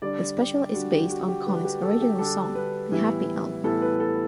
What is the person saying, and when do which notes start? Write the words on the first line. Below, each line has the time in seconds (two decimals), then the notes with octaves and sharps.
The special is based on Connick's original song, "The Happy Elf".
0.02 D3 G3 D4 D5
0.38 G4
0.74 D3 G3 D4 F#4
0.92 G4
1.10 F#4
1.28 G4
1.46 D3 G3 D4 B4
1.65 G4
1.82 A4
2.01 G4
2.19 D3 G3 D4 A4
2.55 B4
2.91 A2 E3 G3 B3 E4
3.64 A2 E3 G3 B3 E4 A4
3.82 B4
4.00 A4